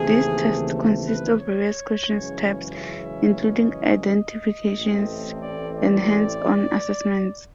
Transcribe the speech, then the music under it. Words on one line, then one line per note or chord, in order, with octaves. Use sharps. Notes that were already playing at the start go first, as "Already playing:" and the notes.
These tests consist of various question types, including identifications and hands-on assessments.
Already playing: D#2 C#3 E3 A3 C4 G#4
B4
C#5
F#2 C#3 E3 G#3 C#4
E5
D#5
A1 A2 E3 A3 C4
D5
D5